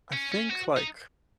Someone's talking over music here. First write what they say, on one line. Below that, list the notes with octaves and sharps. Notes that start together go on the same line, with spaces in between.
I think, like,
C#4
C#4
F#4
D#4